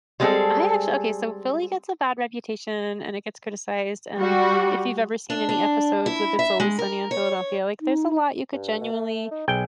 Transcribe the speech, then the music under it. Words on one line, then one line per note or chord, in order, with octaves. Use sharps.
I actually okay, so Philly gets a bad reputation and it gets criticized and if you've ever seen any episodes of It's Always Sunny in Philadelphia, like there's a lot you could genuinely
G3 G#3 B3 C4 G#4 A4
G3 F#4
D4
D4
E4
E5
G#3
A#4
C#5
D#4
G2
B2
A3
D#4
B1 G#4 G5